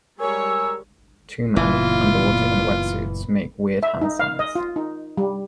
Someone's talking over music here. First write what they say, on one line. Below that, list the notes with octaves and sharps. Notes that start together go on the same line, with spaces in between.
Two men, underwater in wetsuits make weird hand signs.
G3 G#3 A#4 C#5 G#5 E6
F#1 A#2 E3 B3 F4
E5
D#4
F5
D#5
F4
D#4
G3